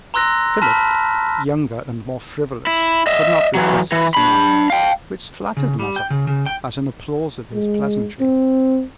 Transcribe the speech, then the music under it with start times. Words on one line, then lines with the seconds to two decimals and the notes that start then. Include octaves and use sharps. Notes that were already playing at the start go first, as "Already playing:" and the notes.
Philip, younger and more frivolous, could not repress a smile, which flattered Mazarin as an applause of his pleasantry.
0.14 A#5 C6 E6 F#6 A#6
0.62 A5 B5 F6 B6
2.67 E4
3.07 D#5 E5
3.55 E3 F#3
3.92 E3
4.15 D4 B5
4.70 F5 G5
5.57 C#3
5.79 G3
5.96 G5
6.10 C#3
6.27 C#3
6.46 G5
7.53 G#3
8.20 C4